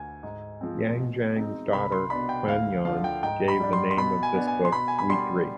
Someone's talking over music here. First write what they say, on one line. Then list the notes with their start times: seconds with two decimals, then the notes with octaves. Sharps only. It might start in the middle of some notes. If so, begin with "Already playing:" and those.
Yang Jiang's daughter Qian Yuan gave the name of this book "We Three".
Already playing: D2 G#5
0.23 G#2
0.61 F3 G#3 C4
0.98 B2
1.36 G#3 C4 D#4
1.73 C2 B5
1.92 C6
2.10 B2 B3 D4 B5
2.29 G5
2.48 D2 F5
2.85 D3 F3 F5
3.04 G5
3.23 G#2 G5
3.48 B5
3.60 G3 D4
3.73 C6
3.91 C6
3.97 B2 B5
4.23 G#5
4.34 B3 D4
4.47 G#5
4.65 C6
4.72 B2 B5
4.88 G#5
4.99 B5
5.09 G3 D4 C6